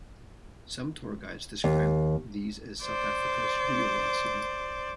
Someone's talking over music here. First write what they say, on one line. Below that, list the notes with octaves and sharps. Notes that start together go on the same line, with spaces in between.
Some tour guides describe these as South Africa's "real" lost city.
D#2
C5 D5